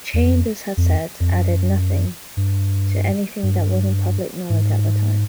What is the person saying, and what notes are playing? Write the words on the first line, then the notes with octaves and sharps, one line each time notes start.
Chambers had said added nothing to anything that wasn't public knowledge at the time.
E2
F2
F2
F2
F#2
G2
G2
G#2